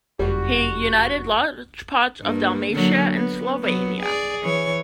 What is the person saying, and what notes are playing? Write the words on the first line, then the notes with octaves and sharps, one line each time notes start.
He united large parts of Dalmatia and Slavonia.
F#1 F2 G3 F#4
G2 A#3
D3 F#3 A#3
B3
F#3 B3
G#4 D5
E3 C#5